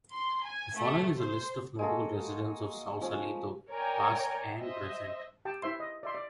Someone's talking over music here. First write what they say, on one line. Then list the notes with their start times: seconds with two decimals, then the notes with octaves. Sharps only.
The following is a list of notable residents of Sausalito, past and present.
0.12 C6
0.45 G#5
0.77 A3
1.17 C5
1.79 G#3 A#3 F#4 A4
3.01 F3 C#4
3.71 A#4 C#5 D5 G5 G#5 A#5
4.57 C5 D#5 E5
5.45 G4 G5 A5
5.62 E4 C5 E5 C6
5.80 D#5
6.03 D5 E5 C6
6.15 D5